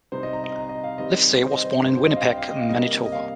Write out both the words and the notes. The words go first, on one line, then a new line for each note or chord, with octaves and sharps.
Livesay was born in Winnipeg, Manitoba.
C3 G3 D#4 C5
D#5
A#5
D#5
A#5
D#5
F5
D#3 G3 C4 D#5
C5
D#5
C5
G2 G3 C4 C5
C5
D#5
F5
G5
F5
D#5
F5
C3 G3 A#3 D#5
D#5
F5